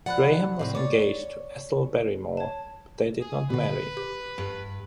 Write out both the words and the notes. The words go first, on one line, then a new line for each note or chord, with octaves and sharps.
Graham was engaged to Ethel Barrymore, but they did not marry.
F3 D5 F#5 B5 F#6
A2 C3 C4
C#5 D5 D6
C#5 A5
G#4
A#2 D3 B4
G4
G2